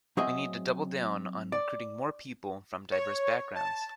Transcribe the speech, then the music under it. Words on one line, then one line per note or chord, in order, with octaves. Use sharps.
We need to double-down on recruiting more people from diverse backgrounds.
F#3 C4 G#4 D#5 E5
D5
C#5
A5